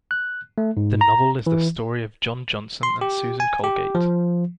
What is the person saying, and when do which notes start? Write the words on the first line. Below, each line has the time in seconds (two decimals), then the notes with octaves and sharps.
The novel is the story of John Johnson and Susan Colgate.
0.11 F#6
0.58 A3
0.77 G#2
1.01 A#5
1.46 E3
2.83 C6
3.01 G4
3.40 G#5
3.64 G4
3.95 F3